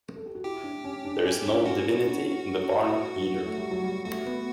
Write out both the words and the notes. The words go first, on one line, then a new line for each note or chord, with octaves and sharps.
There is no divinity in the barn, either.
A4
G4
F#4
E4 G4
D4
C#4
D4
C#4
D4
C#4 F#4
C#4
D4
E4
F#3
A3
G3
F#3
G3
A3 F#4
B3